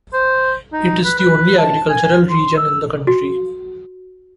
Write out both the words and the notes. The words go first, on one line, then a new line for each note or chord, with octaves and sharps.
It is the only agricultural region in the country.
C5
D#4
B4
B4
A5
G#5
C6
E6
F#4